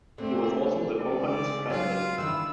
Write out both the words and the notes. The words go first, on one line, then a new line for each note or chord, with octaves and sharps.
He was also the company's president.
D3 A3 C4
D4
C#3 G#3 C4 D5
F#3 F4
D#3 E3 D4 E4 E6